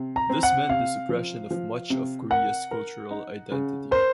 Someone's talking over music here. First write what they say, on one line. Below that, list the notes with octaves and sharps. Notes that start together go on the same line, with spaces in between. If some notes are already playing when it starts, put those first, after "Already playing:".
This meant the suppression of much of Korea's cultural identity.
Already playing: C3
A#5
C4
F#5
C3 F5
F3
F3
C3
A#4 F#5
A#4
D#4
C#3
A#4 C5